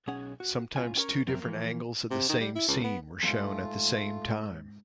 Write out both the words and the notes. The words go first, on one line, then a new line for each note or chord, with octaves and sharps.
Sometimes two different angles of the same scene where shown at the same time.
B1 C#4 G#4 C#5 F#5
F#4
C2 C#4 F4 D5 G#5
C#4 E4 G4 A#4 C#5
F2 F#3 C4 A#4 E5
E3 F3 A#3
C3
D#3
G3
E4
C#2
B3
F2 G#2 A3 F4